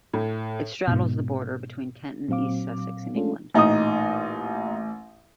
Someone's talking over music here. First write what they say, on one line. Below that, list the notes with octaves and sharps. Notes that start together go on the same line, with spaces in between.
It straddles the border between Kent and East Sussex, in England.
A2
G#2 B2
A#2 F#3 C4 F5 D6
G#3 A3 C#4 D4 F4 A4
A1 A#2 D#4 D#6